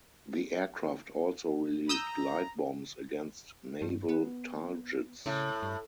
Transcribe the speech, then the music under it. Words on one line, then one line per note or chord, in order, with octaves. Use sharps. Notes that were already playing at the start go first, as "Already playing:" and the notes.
The aircraft also released glide bombs against naval targets.
A#5 D#6 E6 G6
G2
B3
A2 C#3
G2